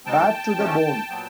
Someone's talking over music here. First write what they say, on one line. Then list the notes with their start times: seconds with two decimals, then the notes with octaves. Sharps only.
Bad to the bone.
0.06 B2 G#3 C4 D#4 G5 A5
0.57 F2 C3 F3 A3 C#4
1.09 A#2 F#3 B3